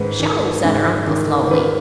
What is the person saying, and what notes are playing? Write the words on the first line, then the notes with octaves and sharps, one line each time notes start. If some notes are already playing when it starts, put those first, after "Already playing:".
"Sho!" said her uncle, slowly.
Already playing: G#2 D#3 B4
D#3
G#2
D#3
D#3 B4